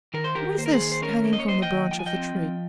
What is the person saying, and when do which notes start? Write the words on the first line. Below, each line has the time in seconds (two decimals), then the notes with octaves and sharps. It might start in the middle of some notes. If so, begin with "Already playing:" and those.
What is this hanging from the branch of the tree?
0.14 D#3 A#4
0.24 C5
0.35 D#3 G4 A#4
0.58 A#3 C5
0.66 A#4
0.73 G#4 C5
0.81 D#3
0.92 C5
1.02 C#4 A#4 C#5
1.25 A#3
1.33 D#5
1.40 C#5
1.48 A#3 C5 D#5
1.62 D#5 G5
1.70 D#3
1.91 F3 G5
1.99 G#5
2.06 D#5 G5
2.14 C4
2.35 F3